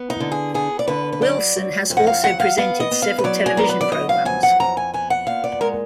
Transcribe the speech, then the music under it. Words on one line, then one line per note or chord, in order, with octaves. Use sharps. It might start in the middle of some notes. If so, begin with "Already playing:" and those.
Wilson has also presented several television programmes.
Already playing: B3
D#4
D3
G#4
B3 G#4
D5
D3 B4
B4
F#3 D5
F#3
F2
F#5
F5
F#3 F#5
F5
B3 F5
D#5
B3
F5
B4
F#3 D5
G#4
B3 A#4
B4
D5
F#3 D#5
F5
F2 G#5
F#5
F2 A#5
G#5
B3 G#5
F#5
A#2 F5
D5
G#3 A#4